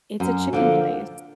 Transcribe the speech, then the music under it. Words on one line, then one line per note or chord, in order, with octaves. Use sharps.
It's a chicken place.
F#2
D3 F3 A#3